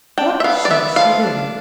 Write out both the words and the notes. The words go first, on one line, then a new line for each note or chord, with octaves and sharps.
What should she do?
D4 G5
E5
B3 F5
D5
B3 E5
F3 F5
D4